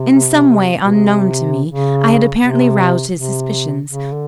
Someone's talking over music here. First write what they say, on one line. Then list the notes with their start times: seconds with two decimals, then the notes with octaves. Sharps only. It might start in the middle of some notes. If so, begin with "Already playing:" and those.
In some way unknown to me, I had apparently roused his suspicions.
Already playing: C3
0.85 B2
0.94 C3
1.68 C#3
2.40 C3
3.14 C3
3.88 C#3
4.12 D3